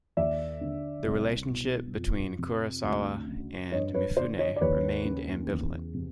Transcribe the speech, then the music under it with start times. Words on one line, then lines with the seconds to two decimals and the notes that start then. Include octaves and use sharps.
The relationship between Kurosawa and Mifune remained ambivalent.
0.17 D#2 D5 E5
0.61 D3
1.06 C2
1.50 B2
1.94 F2
2.39 C3
2.84 D2
3.28 C#3
3.72 G2 C#5 D#5
3.94 B4 C#5
4.17 D3 C5 D5
4.39 C#5 D#5
4.56 D5
4.61 D#2 B4 C#5
5.05 C#3
5.50 E2
5.94 C3